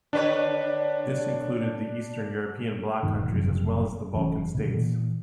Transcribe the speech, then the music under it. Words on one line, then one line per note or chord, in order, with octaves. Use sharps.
This included the Eastern European bloc countries as well as the Balkan States.
D3 D4 B4 C#5 D5
E1 G#2 B2 D#3
F#1 F#2 C3 F3
F1 E3 F#3 C#4
B2 D3
A#2 E3